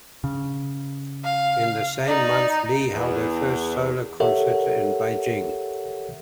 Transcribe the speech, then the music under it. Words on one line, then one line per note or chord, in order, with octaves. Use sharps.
In the same month, Li held her first solo concert in Beijing.
C#3
F5
D#4 D5
E2
G4 A4 A#4 C#5 E5 F#5